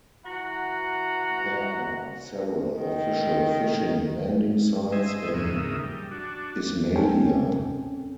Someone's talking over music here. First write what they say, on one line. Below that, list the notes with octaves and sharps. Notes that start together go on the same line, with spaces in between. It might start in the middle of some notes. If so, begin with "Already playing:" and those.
There are several official fishing landing sites in Ismailia.
E3 F#4 F#5 A#5
D#3
C5 D#5 E5 G#5
D#2 G#2 C#3 A#3 E5 D#6
G3
D4 F#4
D#2 C4 C#4 A4 G5 G#5